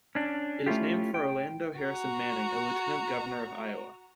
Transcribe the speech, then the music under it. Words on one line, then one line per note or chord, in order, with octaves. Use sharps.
It is named for Orlando Harrison Manning, a Lieutenant Governor of Iowa.
C#4 D4
A3 C#4 E4 F4 G4
G5
F#4 A#5